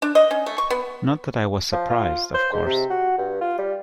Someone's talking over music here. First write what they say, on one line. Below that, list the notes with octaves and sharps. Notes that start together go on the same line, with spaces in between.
Not that I was surprised, of course.
D4
D#5
C#4
A3
C#6
B3
F3
F4
C5
G#2
C3
F#4
G2
F4
G3